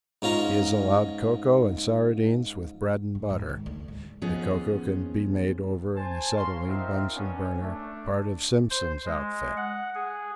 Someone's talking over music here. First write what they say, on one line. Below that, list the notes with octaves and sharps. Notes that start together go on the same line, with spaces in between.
He is allowed cocoa and sardines with bread and butter--the cocoa can be made over an acetylene Bunsen burner, part of Simpson's outfit.
G#2 C#4 F4 A#5
G#2
G#2
D#3
D2
G#2
D#2 F3 B3 C#4 G#4
C5 G#5 A5
C#5 F5 A#5 C6
C4 D#4 F4 A#4 E5 F5
B3 C#4 D4
A3 D4
C5
G#3
F#5
G#4